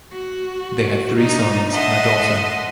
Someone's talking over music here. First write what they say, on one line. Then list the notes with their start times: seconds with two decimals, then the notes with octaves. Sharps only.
They had three sons and a daughter.
0.12 F#4
1.18 D4 D#4
1.72 D#5 E5 F#5 A5 C6